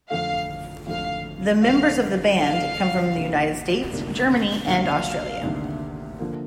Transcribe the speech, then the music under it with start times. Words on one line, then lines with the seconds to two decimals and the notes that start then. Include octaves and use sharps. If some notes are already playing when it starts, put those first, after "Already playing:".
The Members of the band come from The United States, Germany, and Australia.
0.10 F2 D3 A3 F5
0.87 F2 D3 A3 F5
1.63 F2 D3 A3 F5
2.39 F2 D3 A3 F5
3.15 D2 C3 D#3 A#3 D4
3.91 D2 C3 D#3 A#3 D4
4.66 D2 C3 D#3 A#3 D4 F5
5.43 D2 C3 D#3 A#3 D4
6.19 D3 F3 A#3